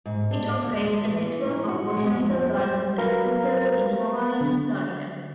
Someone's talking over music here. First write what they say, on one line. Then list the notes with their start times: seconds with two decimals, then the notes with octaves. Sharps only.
It operates a network of botanical gardens and preserves in Hawaii and Florida.
0.06 G#2
0.31 D4
0.62 D2
0.81 G#3
1.04 E3
1.44 D#4
1.68 F#4
1.97 G#3
2.15 F2
2.57 C5
2.98 F#3 A#4 B4 F5 A#5
4.41 D3